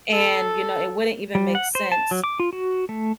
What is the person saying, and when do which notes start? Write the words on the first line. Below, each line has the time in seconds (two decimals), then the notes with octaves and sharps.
and, you know, it wouldn't even make sense
0.12 A4
1.35 G3
1.55 F#5
1.75 C5
1.92 A5
2.11 F#3
2.24 D6
2.40 F4
2.53 F#4
2.89 A3